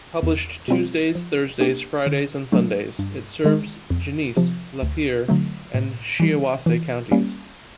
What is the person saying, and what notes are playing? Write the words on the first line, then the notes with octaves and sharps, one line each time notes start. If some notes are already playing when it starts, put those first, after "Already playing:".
Published Tuesdays, Thursdays, Fridays and Sundays, it serves Genesee, Lapeer and Shiawassee Counties.
E2
B2 G3 C4 F4
F3
A#3 D4 G4
D3
F#3 A3 D4
G2
D#3 G#3
F2
C3 F3
D2
D3 F#3 A3
A2
E3 G3
E3
G3 A#3 C#4